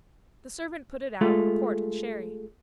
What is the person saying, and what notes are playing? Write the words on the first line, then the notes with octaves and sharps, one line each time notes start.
The servant put it out, port and sherry.
G#3 A3 F4